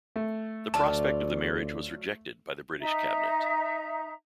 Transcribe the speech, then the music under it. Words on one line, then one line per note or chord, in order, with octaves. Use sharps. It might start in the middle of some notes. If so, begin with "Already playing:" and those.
The prospect of the marriage was rejected by the British Cabinet.
A3
D2 F#3 F4 D5 A5
D#4 E5 A#5